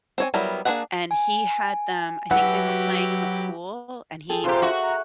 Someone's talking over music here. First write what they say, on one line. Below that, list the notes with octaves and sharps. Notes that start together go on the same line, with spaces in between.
and he had them I think they were playing in the pool, and he
C4 C#5 G#5
F#3 G3 B3 E4 A#4
A#3 D4 F4 G#4 F#5
G#5
F#3 F#4 G4 B4 E5 F#5
G#4 A4 G5
C3 F4 G4 C5 C6
F#4 E5
A#5